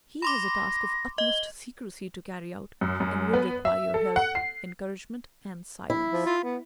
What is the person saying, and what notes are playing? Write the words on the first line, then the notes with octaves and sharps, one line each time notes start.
"He has a task of utmost secrecy to carry out and will require your help, encouragement, and silence."
B5 C6 D6 A#6
D#5 G7
F#2
F#2
B3
E5
A4
F#5
C7
E4
F3
F4
B3